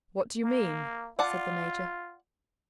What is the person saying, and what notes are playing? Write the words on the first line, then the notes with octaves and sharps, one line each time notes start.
"What do you mean?" said the major.
A#3
F4 D5 F#5 A5